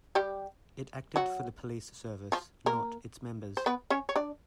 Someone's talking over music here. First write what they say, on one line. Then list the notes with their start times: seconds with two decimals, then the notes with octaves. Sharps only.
It acted for the police service, not its members.
0.15 G3 G4
1.16 F#3 F#4
2.32 F3 F4
2.66 A#3 A#4
3.57 C5
3.66 B3 B4
3.90 C#4 C#5
4.09 C#5
4.16 D4 D5